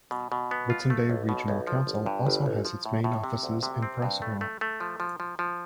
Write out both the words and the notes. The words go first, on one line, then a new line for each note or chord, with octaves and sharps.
Whitsunday Regional Council also has its main offices in Proserpine.
B2
B2
B3
F4
A3
B1
B2
B1
F3
G1
G2
G1
A1
F3
A2
A2
C3
D2
C3
C4
G2
A3
A3
A3
F3
F3
F3
F3